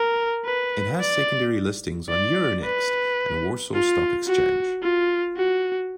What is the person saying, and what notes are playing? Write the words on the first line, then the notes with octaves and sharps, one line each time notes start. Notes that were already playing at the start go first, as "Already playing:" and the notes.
It has secondary listings on Euronext and Warsaw Stock Exchange.
Already playing: A#4
B4
D5
D5
B4
F4
F#4
F4
F#4